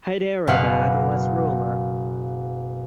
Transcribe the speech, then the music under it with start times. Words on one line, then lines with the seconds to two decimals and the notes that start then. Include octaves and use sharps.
Hyderabad was ruler.
0.47 F#1 B2 B4 F5 F#5